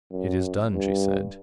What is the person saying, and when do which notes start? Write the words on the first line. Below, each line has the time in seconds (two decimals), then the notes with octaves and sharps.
"It is done," she said.
0.11 F#2
0.73 G2